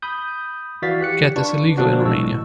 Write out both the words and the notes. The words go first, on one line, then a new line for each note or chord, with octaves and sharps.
Khat is illegal in Romania.
B5 D#6 G6
E3 F#4 D5 F5 A6 B6
G4 F#6 C#7
D4 F4 B4 D5 C#6
A#2 D3 F3 A#3 D4 F#4
A1 A2 G#3 C#6 E6